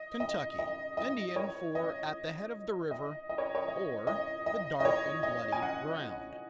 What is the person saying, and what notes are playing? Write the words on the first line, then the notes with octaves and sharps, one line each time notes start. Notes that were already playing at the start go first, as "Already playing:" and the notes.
Kentucky--Indian for "at the head of the river," or "the dark and bloody ground."
Already playing: D#5
D#5
D#5
D#5
C#5
D#5
D#5
D#5
C#5
C#5
D#5
D#5
D#5
D#5
C#5
D#5
G#5
F#5